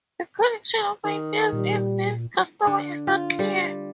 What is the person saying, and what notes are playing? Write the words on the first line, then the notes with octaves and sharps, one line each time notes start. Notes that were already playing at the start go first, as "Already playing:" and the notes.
The connection of ideas in this custom is not clear.
D#3
A#2 G3
D3
F4
G3